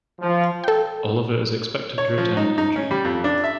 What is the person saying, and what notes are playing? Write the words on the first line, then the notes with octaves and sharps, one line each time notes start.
Olivier is expected to return in June.
F3
A4 G5
C#5
F3
D#4
D#4
C#4
G3
F2
D4
E5